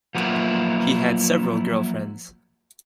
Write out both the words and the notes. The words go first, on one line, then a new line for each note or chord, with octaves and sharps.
He had several girlfriends.
F3 F#3 A#3 B3 E4